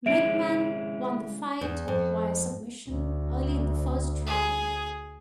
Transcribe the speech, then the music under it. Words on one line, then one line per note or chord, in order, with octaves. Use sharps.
McMann won the fight via submission early in the first round.
G#3 C#4 E4 E5 D7
E2
F2
D2
G#4